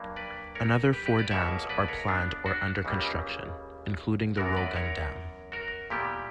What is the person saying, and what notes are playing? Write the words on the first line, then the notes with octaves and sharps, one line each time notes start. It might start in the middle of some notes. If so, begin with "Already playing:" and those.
Another four dams are planned or under construction, including the Rogun Dam.
Already playing: G2 F#3 A#3
B4 D5
A#4 C#5
G4 B4
G4 B4
B4 D5
C#2 B2 A#3 C#5 E5
B4 D5
A#4 C#5
B3 D4
D4 F#4
C#2 C#3 G3 A#3
F#2 E3 B3 F#4 A#4
B4 D5
A#4 C#5
F#4 A#4
A#2 G3 B3 E4 G4